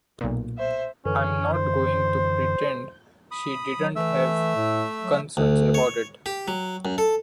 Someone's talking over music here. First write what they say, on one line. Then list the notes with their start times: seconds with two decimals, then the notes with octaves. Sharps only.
I'm not going to pretend she didn't have concerns about it.
0.21 B1 A#2
0.58 C5 E5
1.06 F#2 D3 E3 C#4
1.53 C5
3.31 B5 D#6
3.79 F#3
3.96 E3 A3 E5 E6
4.56 A2
5.02 F#3
5.37 D2
5.74 C#5
6.26 G4
6.48 F#3
6.85 F#2
6.98 A4